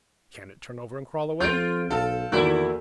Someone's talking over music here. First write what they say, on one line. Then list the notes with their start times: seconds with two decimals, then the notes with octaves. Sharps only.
Can it turn over and crawl away?
1.40 F2 F4 G6 D7
1.90 B1 A4 F5
2.32 E2 D#3 A#3 E4 F#4 D5